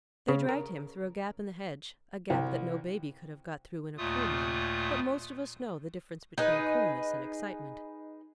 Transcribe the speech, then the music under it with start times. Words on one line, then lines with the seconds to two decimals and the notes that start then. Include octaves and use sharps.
They dragged him through a gap in the hedge, a gap that no baby could have got through in a cool moment; but most of us know the difference between coolness and excitement.
0.28 C#3
0.49 A#4
2.30 C2
3.98 D#2 A#2 A3 F4 D#6
6.38 D#4 G#4 B4